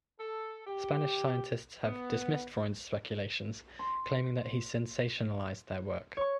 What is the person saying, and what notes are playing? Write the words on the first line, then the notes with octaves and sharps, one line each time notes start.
Spanish scientists have dismissed Freund's speculations, claiming that he sensationalised their work.
A4
G4
B3
C6
C#5 C#6